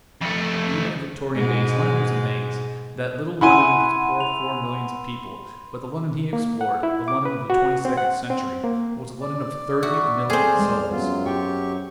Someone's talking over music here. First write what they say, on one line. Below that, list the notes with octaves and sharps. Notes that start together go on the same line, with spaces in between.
Even in Victorian days London was a maze, that little London with its poor four millions of people; but the London he explored, the London of the twenty-second century, was a London of thirty million souls.
F2 A3
G#2 B2 G#3
E4 F#5 G#5 B5 C6 D#7
F7
A#3
F#5
E4
D6
B4
F#4
C4
F#5
C4
A#3
D5
F#4 E5
C4 G#4 A4 C5 G5 F6
E2 G#3
F#2 F#3 B3 F4
G4 G5 C#6